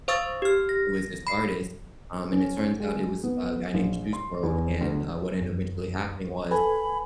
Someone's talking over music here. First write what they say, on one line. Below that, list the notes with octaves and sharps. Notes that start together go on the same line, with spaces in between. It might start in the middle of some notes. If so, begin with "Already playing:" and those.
who is this artist? Um, and it turns out it was a guy named Juice WRLD, and, uh, what ended up eventually happening was
C5 F5 C#6 D#6 E6 A6
G4 F6
A#6
B5 C7
C#4
G#3
B3
A#1
C6
E2
D2
F#2
A4 B4 G#5 B5